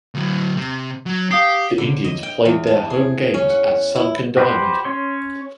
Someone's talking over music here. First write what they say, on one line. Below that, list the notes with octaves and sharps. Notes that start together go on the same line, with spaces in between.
The Indians played their home games at Sunken Diamond.
D2 F#3
C3
F#3
G4 F5 D#6 C7
D3
D#5
G5
E2
A5
G#4
C#4
F#5
E4
F#4 G4 B4 C5 D5
C#4 C#5 C6